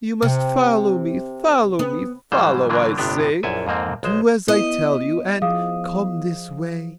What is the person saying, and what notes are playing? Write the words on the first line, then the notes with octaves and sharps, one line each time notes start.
"You must follow me, follow me, follow, I say Do as I tell you, and come this way."
C3
B3
G#2 E3 F#3 G3 C5
D3 E3 F#3 A#3 D4
G1 A2 C3 B3 D4 G4
A#1 F#2 E4 A4 G#5
F2 G#2 A#3 C4
B1 G#3 C5
B3 E4 D#5
F3 G#4 F5 D#6